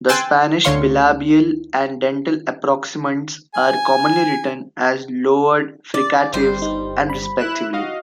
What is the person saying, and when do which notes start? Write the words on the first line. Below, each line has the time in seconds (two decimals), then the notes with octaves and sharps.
The Spanish bilabial and dental approximants are commonly written as lowered fricatives, and respectively.
0.09 G5 G#5 C6 E6 F#6 A6
0.64 D2 C#5 F5 C6 C#7
3.54 G#5
5.94 D5
6.34 G1 G3 C5
6.62 D#4
7.10 B5
7.39 E4 F#6 E7
7.73 F#4 D#5 F5